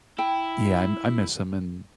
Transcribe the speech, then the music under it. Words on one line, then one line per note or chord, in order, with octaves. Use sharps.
Yeah, I I miss him and
E4 G5